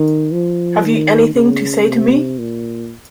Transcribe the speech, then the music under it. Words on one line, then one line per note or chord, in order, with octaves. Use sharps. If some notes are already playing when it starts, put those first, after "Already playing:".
Have you anything to say to me?
Already playing: D#3
F3
D#3
C#3
C3
A#2